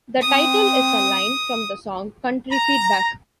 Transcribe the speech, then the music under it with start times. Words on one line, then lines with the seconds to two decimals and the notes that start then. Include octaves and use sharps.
The title is a line from the song, Country Feedback.
0.21 C4 D#6
2.51 A#5